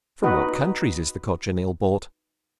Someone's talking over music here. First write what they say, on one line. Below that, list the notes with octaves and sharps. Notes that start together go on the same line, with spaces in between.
From what countries is the Cochineal brought?
D#4 F#4 B4 D#5